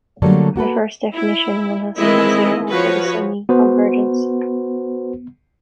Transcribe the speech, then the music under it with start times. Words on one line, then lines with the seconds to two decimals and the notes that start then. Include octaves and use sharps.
For the first definition, one has to consider also the semiconvergents.
0.22 D3 F#3 G3 A3 A#3
0.56 A#3 F#4 A4 B4
1.12 E4
1.97 D#3 E3 G#3 C4 E4 D#5
2.69 F3 F#4 B4 C#5
3.49 B3 F#4 B4 C5